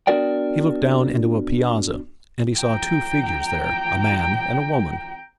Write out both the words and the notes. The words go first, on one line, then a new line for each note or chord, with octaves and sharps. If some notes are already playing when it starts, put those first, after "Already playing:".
He looked down into a piazza and he saw two figures there, a man and a woman.
B3 D4 F#4 A#4 D5 G5
G5 A#5